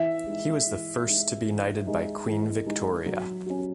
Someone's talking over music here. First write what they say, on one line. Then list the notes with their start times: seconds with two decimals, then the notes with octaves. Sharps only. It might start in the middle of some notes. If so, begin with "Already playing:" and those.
He was the first to be knighted by Queen Victoria.
Already playing: E3 E5
0.26 G#3 D#4
0.66 E3
1.06 G#3 D#4
1.46 E3
1.87 G#3 D#4
2.27 E3
2.66 G#3 D#4
3.06 F#3
3.46 C#4 F#4